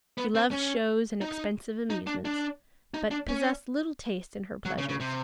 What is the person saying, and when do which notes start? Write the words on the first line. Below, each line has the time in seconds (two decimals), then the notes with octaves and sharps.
She loved shows and expensive amusements, but possessed little taste in her pleasures.
0.18 B3
0.35 C4
0.51 C#4
1.21 D#4
1.90 D#4
2.07 D4
2.25 D4
2.94 D#4
3.11 D4
3.29 C#4
4.65 F#3
4.78 C#3
4.89 C#3
5.00 C3